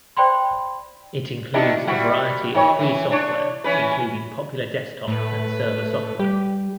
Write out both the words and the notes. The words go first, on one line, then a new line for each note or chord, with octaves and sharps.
It includes a variety of free software, including popular desktop and server software.
C5 D5 G5 B5 C6
D#3 D4 E4
G3 E4 F#4
D#3 C#5
E3
D4 C#5
E3 C#4 B4
A2 A3 B4
G3 G4